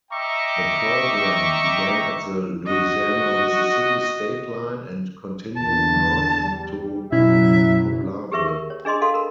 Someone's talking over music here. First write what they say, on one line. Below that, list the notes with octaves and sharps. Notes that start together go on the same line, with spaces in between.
The program began at the Louisiana-Mississippi state line and continued north to Poplarville.
D#5 E5 G5 A#5 C#6 D6
F#4 D#5
E2 D3 A5
G3
F#1 F#2 B2 F#3 C#4 E4 E5
G4 G#4 B4 E5 C#6
A#4
C#5
D4 G#4 D#5 C6 D#6
F#4 A4 F5 C6
A#4 B5